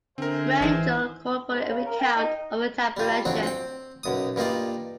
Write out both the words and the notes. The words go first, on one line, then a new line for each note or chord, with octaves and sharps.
Rangel called for a recount of the tabulation.
D3 C4 A#4 C5 E5 G#5
G#1 E3 D#4 G#4
G#2
C#3
A#4
G5
D#4
G3 F4
F2 F#3 C4 D4
C4 G5
B1 F#2 D#6
G2 A#3 D#4 F4 D5